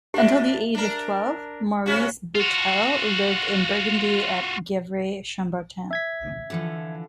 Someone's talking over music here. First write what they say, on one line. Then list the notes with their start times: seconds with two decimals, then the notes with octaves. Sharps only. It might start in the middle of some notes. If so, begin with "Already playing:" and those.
Until the age of twelve Maurice Boitel lived in Burgundy at Gevrey-Chambertin.
0.14 A#2 D4 G4 E5
0.75 D4 A#4
1.86 C3 C#4 F#4
2.35 F4 F#4
5.91 E5 G#6 B6
6.50 D3 E3 F3